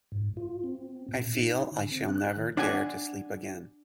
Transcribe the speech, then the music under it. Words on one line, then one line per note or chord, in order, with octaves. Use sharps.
I feel I shall never dare to sleep again!
G#2
F4
C4
A#2
D#4
D3
C4
F#6
D#3
D4 D5 F#5 G#5